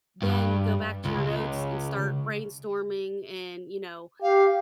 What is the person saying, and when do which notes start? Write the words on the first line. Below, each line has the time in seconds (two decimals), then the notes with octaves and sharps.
then go back to your notes and start brainstorming and, you know
0.22 G2
1.05 C#2
4.22 G4 F5